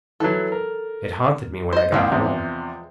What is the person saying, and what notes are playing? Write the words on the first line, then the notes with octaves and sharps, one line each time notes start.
It haunted me when I got home.
E3 F#3 A4
A#4
C5 D#5
C2 A#2 F3 G#3 C4
E2 C3